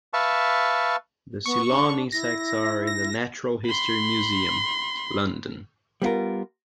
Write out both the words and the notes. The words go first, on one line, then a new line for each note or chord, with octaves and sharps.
The Ceylon insects are in the Natural History Museum, London.
B4 E5 F5 A5 C#6
B3 C#6
D4
E4 A#6
A#6
B5 C6
G3 B3 F4 A#4